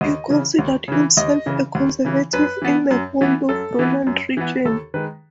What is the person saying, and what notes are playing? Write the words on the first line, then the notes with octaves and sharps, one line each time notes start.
He considered himself a conservative in the mold of Ronald Reagan.
D#2 D#5
C#3 E3
D#2
C#3 E3
D#2 D#5
C#3 E3
D#2
C#3 E3
F#2 B4
E3 B3
F#2
E3 B3
F#2 A4
E3 B3
F#2
E3 B3
D#2 A4
D#3 G#3 B4